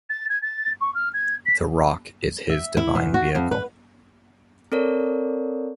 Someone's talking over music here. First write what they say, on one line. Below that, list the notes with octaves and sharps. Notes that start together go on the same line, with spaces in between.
The rock is his divine vehicle.
A6
G#6
A6
C#6
F6
G#6
B6
E5
E4
E2
F#4
F2
B4
C4 A4 A#4 C#5 D5